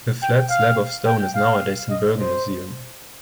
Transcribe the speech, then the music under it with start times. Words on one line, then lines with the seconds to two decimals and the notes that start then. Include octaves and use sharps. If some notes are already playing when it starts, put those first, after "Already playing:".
The flat slab of stone is nowadays in Bergen Museum.
0.22 G5
0.50 F5
1.07 G5
1.35 F5
1.90 D#5
2.18 C5